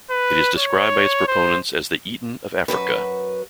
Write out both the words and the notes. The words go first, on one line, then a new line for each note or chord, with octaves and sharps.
It is described by its proponents as "The Eton of Africa".
B4
C#5
C5
F#2 B2 F#4 B4